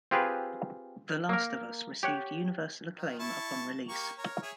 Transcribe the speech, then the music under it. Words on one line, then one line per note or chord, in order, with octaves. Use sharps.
"The Last of Us" received universal acclaim upon release.
C4 F4 G4 G#4 B4
A#3 A#4
G4 C#5 F#5
D#3
E4 A5 C#6
A#3 G4 C#6
A#4 C#5
G#4 C#5 E5